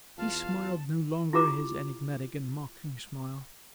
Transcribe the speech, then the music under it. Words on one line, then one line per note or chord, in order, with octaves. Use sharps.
He smiled no longer his enigmatic and mocking smile.
E2 F4 F5 A5
E4 F4 G4 A#5 D6